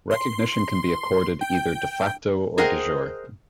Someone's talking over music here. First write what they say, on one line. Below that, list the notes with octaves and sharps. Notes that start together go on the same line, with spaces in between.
Recognition can be accorded either "de facto" or "de jure".
C6
G5
G#4 A#4 C5 D#5 F#5 G5